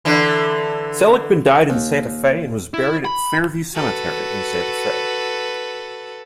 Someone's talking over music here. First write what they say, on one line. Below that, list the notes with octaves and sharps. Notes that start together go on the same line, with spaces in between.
Seligman died in Santa Fe, and was buried at Fairview Cemetery in Santa Fe.
D3 E3
D#2
E4
B5
F#4 A4 B4